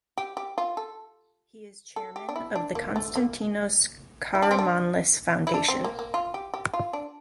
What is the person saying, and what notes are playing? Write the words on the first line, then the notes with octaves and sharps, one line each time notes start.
He is chairman of the Konstantinos Karamanlis Foundation.
G4
G4
F4
A4
A4
G4
D4
E4
D4
A#3
A3
A#3
E4
D4
C4
D4
E4
D4
C4
A#3
A#3
F4
G4
G4
F4
D4